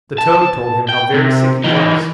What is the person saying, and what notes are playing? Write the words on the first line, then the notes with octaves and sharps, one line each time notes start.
The toad told him how very sick he was.
A5
G5
C3
E3 D#4